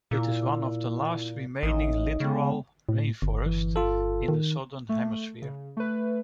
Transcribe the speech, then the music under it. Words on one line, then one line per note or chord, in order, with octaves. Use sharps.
It is one of the last remaining littoral rainforests in the Southern Hemisphere.
A#2 E4
A1 D#4 D#5
C#3 G#3 B3 G5
A2
G1
E3
F4 A4
D#3
A3
C#3
A3 B4